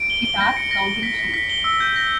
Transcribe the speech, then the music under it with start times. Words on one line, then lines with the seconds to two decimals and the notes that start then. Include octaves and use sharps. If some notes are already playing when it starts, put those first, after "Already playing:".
She starts counting sheep.
Already playing: D7
0.10 G7
0.25 G7
0.40 A#6
0.57 C#7
0.71 A#6
0.87 G7
1.03 B6
1.19 B6
1.34 B6
1.50 G7
1.64 E6
1.80 G6
1.96 A#6